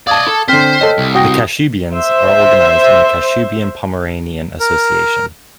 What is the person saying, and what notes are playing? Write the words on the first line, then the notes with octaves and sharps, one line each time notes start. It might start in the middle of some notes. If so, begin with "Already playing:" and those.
The Kashubians are organized in the Kashubian-Pomeranian Association.
D5 D#5 F5 A5 D6 D#6 G#6
A4
D3 C4 C5 G5 F6 B6
A4 C#5 D#5
C2
F#4 G5 D#6 A#6
C5 E5
A#4